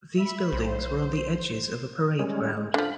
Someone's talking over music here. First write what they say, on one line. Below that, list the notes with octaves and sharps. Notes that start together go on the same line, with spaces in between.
These buildings were on the edges of a parade ground.
E5 B5
B1 C5
G3 G#3 C#4
G#3
D3 F3 B5